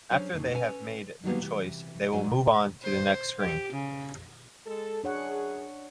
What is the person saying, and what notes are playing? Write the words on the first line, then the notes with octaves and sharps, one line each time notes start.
After they have made the choice, they will move on to the next screen.
F#3 C#4 D4 G#4 C5 C#5
F2 A#2 D#3 A3
C#4 A4 B4 G#5
D3 D#3 F#3 G3 A#3 B3
C3 E3
D2 G2 F#3 A3 D4 G#5
C5
G4
C#3
G#3 A4
F#2 D4 G#4 C#5 F#5